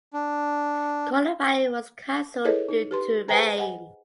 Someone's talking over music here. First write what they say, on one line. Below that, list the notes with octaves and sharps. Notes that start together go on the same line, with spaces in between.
Qualifying was canceled due to rain.
D4
E4 G#4 A4 B4 C#5 D#5
D#4
G4 B4 C6
G#4 B4 C5 G5 G#5 A#5
D#5 F#5 G#5